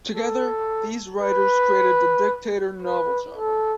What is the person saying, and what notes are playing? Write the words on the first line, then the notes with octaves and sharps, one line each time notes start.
Together, these writers created the Dictator novel genre.
A4
B4
B4
A4